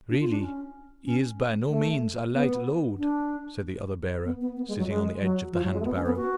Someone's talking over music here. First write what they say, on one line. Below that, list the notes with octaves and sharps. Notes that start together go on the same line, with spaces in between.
"Really, he is by no means a light load!" said the other bearer, sitting on the edge of the hand-barrow.
D4
F4
D4
C#4
C#4
A3
B3
D4
B3
B3
B3
G#3
F#3
G#3
F#3
F3
F#3
G#3
A3
B3
C#4
B3
F#4